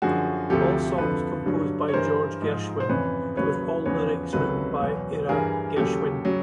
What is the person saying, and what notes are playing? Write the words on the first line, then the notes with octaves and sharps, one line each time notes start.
All songs composed by George Gershwin, with all lyrics written by Ira Gershwin.
F#2 D3 F3 F#4 G#4
D2 C3 F3 G4 A4
F2 D3 F3 A4 B4
G2 D3 F#3
C#5
G2 E3 A#4 C5
G#2 F3
C5
F2 C#3 E3 B4 C#5
D#2 C#3 F#3 B4 C#5
E2 C#3 F3 B4 C#5
C#2 C3 D#3 F#3 A4 B4
E2 B2 F#3
G2 E3 G#4 A#4
D#2 C#3 F#3 G4 A4
C#3 F#3